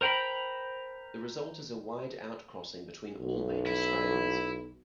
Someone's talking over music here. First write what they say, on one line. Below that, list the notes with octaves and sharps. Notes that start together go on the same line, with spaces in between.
The result is a wide outcrossing between all major strains.
A#4 C5 G5 A#5 B5
B1
E4